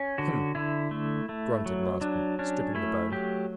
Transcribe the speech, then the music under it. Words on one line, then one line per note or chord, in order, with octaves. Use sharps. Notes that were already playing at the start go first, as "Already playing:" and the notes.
"Hm!" grunted Marsden, stripping the bone...
Already playing: C#4
D3 F#4
D3 E4
A3
A3
F#3
F#3 D4
C#4 D4
A3 E4
F#3 G4